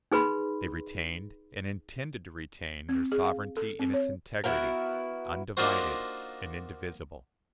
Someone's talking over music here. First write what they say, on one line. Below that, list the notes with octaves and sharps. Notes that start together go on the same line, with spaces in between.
They retained, and intended to retain, their sovereignty in its integrity--undivided and indivisible.
D#4 G#4 B4 B5 C6
C4
G#4
F5
A4
C4
C#5
B3 E4 F#4 A#4
A#3 D4 D#4 F4 F#4 C5